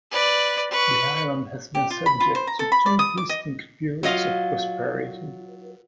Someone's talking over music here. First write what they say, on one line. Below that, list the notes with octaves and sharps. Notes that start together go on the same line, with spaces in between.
The island has been subject to two distinct periods of prosperity.
B4 D5
B4 C#6
G4
F4
B5
F4
C5
A#5
A4
B5
D5
D#6
D6
D#5
F#3 F4 D#5 F5